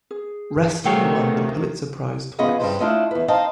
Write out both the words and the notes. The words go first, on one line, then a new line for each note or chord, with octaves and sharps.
Reston won the Pulitzer Prize twice.
G#4
C3 D#3 A3 F#4 G#4 C#5 F5 G5
B3 C#4 F4 G#4 D#5 F#5
G2 C#3 E3 F#3 B4 C5
A3 D4 E4 F4 C#5 D#5
E2 B4
C4 D#4 C5 D#5 F5 A5